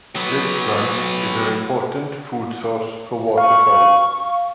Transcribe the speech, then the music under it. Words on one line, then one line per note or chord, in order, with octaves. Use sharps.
This plant is an important food source for waterfowl.
F#3 B3
F5 C#6